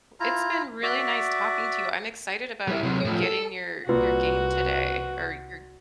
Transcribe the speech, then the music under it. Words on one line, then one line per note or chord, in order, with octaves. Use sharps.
It's been really nice talking to you. I'm excited about you getting your your game today or your
E4 F4 A#5
F#4 D5 E5
G3 E4
C3 F#3
A2 F3
A4
C2 A#2 F#4 B4